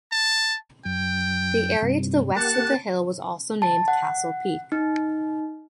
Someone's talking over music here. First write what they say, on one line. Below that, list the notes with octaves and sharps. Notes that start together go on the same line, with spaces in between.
The area to the west of the hill was also named Castle Peak.
A5
F#2 G5
G2 C3
A#3 G4 F#5 A5
A5
F#5
D#4